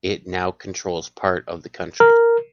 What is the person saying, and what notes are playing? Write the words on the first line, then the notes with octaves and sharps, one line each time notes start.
It now controls part of the country.
A#4